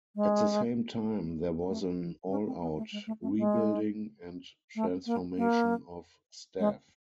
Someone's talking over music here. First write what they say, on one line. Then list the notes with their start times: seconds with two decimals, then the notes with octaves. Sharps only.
At the same time there was an all-out rebuilding and transformation of staff.
0.16 G#3
1.69 A3
2.30 C#4
2.45 C4
2.61 B3
2.76 A3
2.92 G#3
3.07 A3
3.22 A3
3.38 G#3
4.75 A3
5.06 A#3
5.37 A#3
6.59 G#3